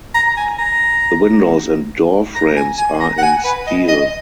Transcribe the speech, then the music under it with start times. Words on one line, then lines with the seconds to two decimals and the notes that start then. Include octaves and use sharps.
The windows and door frames are in steel.
0.14 A#5
0.37 G#5
0.59 A#5
2.35 A#5
2.56 G#5
2.78 G#5
3.00 A#5
3.18 F#5
3.23 G#5
3.44 B4
3.67 D#5
3.88 D#5